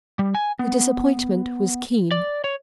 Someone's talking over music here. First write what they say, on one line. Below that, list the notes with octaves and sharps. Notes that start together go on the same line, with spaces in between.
The disappointment was keen.
G3
G#5
B3
D5
C#5